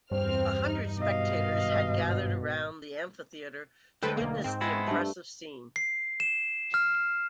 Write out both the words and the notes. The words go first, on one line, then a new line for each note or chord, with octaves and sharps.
A hundred spectators had gathered around the amphitheater to witness the impressive scene.
E2 G2 C4 C5 F6
D#4
G#1 B2 D#5 F5
D2 A4 B4 C5 D#5 G5
B1 A#3
G#2 C4
G#3 B3 E4
G2 A3
C7
E7
F6